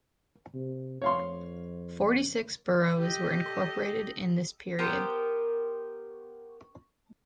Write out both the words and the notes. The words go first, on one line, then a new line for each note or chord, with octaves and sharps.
Forty-six boroughs were incorporated in this period.
C3
F2 C#5 F5 C6
G4 A4 D#5
B3 G4 A#4 C5